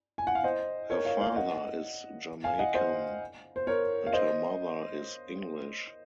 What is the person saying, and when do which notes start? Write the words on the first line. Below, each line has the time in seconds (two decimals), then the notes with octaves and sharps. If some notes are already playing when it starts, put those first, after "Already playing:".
Her father is Jamaican and her mother is English.
0.18 G#5
0.27 F#5
0.35 F5
0.44 C5 D#5
0.90 A#4 C#5
1.05 C#5 F5
1.21 C#5 F5
1.36 D#5 F#5
2.44 F5 G#5
2.59 D#5 F#5
2.74 C5 D#5
3.56 C5
3.67 A#4 C#5
4.07 F5
4.13 C5 D#5